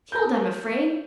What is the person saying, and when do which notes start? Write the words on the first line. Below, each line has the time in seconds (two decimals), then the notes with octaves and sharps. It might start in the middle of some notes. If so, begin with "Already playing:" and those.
Killed, I'm afraid!
0.12 A#4 G6